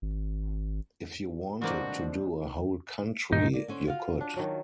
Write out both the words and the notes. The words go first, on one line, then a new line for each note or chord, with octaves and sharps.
If you wanted to do a whole country, you could.
G#1
C2 G#2 E3 A#3 D4 F#4 C5 D5
G2 A#2 D#3 D#4
A#3 D5
D3 C#4 C5
F4 F#4 F5
D4
D#3 F#3